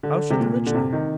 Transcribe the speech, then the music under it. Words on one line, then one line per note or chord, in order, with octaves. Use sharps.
How should the rich know?
D3
C3
A#2
D3
C3
D#3